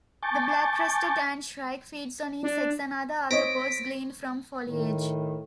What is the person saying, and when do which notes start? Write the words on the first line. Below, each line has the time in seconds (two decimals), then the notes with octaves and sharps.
The black-crested antshrike feeds on insects and other arthropods gleaned from foliage.
0.23 G#5 A5 C#6 D6 G6 A6
2.43 D4
3.31 C4 C#5 D#5 A#6 B6 D7
4.65 A2 D#3